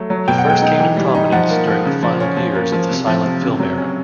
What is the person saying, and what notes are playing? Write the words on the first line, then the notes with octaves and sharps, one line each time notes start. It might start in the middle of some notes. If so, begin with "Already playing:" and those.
He first came to prominence during the final years of the silent film era.
Already playing: F#3 A3
F#3
B2 G5
F#5
G#3 G5
D#4
E3
G3
D#4
F3 F#5
A#3
F3
C#3
F3
C#4
F3
A#3
F3
C3
F3
C3
C#3
F#3
C#4